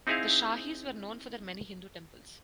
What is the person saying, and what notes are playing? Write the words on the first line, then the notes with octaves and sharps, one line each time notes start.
The Shahis were known for their many Hindu temples.
C4 D#4 E4 G#4 E5 F5